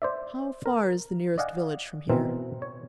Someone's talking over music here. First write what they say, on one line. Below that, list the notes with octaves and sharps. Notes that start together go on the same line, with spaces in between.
"How far is the nearest village from here?"
C5 D5 E5
A#4
D5 D#5 F5 F#5 G#5
B2 E3 C4 A#4
C#5